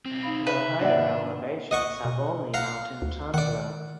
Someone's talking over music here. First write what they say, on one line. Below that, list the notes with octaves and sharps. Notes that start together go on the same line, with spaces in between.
The higher elevations have only mountain tundra.
B1 C4
D#4 F5 B5
C3 B4 E5
G#2 D#3 A#3 D4 D5 E5 F#5
D#5 F#5 C#6
B2
F5 F#5 A#5
D2
D#3 D5 F#5